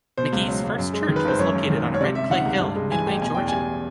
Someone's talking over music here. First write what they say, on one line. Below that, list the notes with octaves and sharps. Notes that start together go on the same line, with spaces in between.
McGee's first church was located on a red clay hill in Midway, Georgia.
B2 C5
C#2
F#3
C#2
F#2
G#3
D#3
B4
G#1 C5
F#2 C#5
G#1
D#3
G#1
C#5
C3 D5
G3 E5
D#3 F#5
C#2
G2
G#3
E3 G#5
A1 G5
B2 G#5
E2 G5
G3 G#5